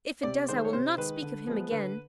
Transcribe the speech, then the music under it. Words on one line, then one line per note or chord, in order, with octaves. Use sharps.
If it does, I will not speak of him again.
C3 D5
D#3 G#3 C5
C#5
C3 C5
D#3 G#3 B4
D3
F3 G#3 B3
D3 B4